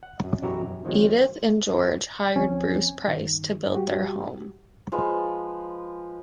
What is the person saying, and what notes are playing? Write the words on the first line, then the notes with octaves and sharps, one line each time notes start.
Edith and George hired Bruce Price, to build their home.
F#5
F#2
B1 F#2 E3 F#4 G4 A#5
F#2
D#3 F3 F#3 G#3 C4
D2 F3 C4 C#4 G#5
G2 D#3
G3 F#4 G4
F3 G#3 B4